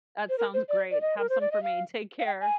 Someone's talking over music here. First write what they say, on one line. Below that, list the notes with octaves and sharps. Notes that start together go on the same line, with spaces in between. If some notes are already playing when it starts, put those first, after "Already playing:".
That sounds great, have some for me; take care.
C5
A#4
C5
D5
D5
D#5
A#4
C5
D5
D#5
F5
F5
G5
G#5